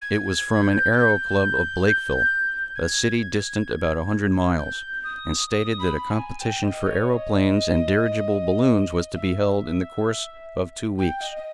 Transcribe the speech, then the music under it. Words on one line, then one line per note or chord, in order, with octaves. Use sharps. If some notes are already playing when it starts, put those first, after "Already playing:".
It was from an aero club of Blakeville, a city distant about a hundred miles, and stated that a competition for aeroplanes and dirigible balloons was to be held in the course of two weeks.
G#6
G#6
G6
G6
G#6
G6
D#6
D#6
B5
G#5
G5
D#5
C#5
D#5
E5
G5
D#5
D#5